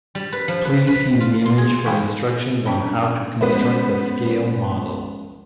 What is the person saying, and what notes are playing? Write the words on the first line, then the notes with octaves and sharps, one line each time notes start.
Please see the image for instructions on how to construct a scale model.
G3
B4
F3
B4
B4
F4
C6
G#4
E3 D#4 F5 G5 G#5 B5
F3 C#4 D4 G5 A5 B5
F3 G#3 B3 C#4 B4 C5